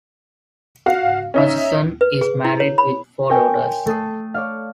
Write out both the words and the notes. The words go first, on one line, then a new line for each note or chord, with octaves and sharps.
Hutchison is married with four daughters.
F#4 F5
C#4 D#4 E5
B4
G#4
E4
C#5
B5
A#4 C#5 E5 G5 G#5 C6
A3 A4 D#6 C7
C#5 D5 F5